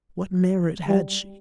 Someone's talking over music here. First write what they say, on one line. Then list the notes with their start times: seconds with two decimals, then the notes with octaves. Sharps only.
What merit had she?
0.88 G3